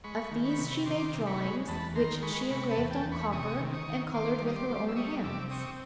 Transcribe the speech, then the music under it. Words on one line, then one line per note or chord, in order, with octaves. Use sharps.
Of these she made drawings, which she engraved on copper, and coloured with her own hands.
G#3 B5 C#6
D#3
B5 C#6
C3
D#3 C6 D6
C3
B5 C#6
G#3
E2 A5 B5
D#3 A#5 C6
G#3 B5 C#6
C3 B5 C#6
A5 B5
E2
G5 A5
E2
B5 C#6
C3 C#6 D#6
D#3
C#6 D#6
D#3
D#3 C6 D6
G3
D#6
C6 D6
G3
E6
G3 C#6 D#6
C3 D6 E6
C4 C#6 D#6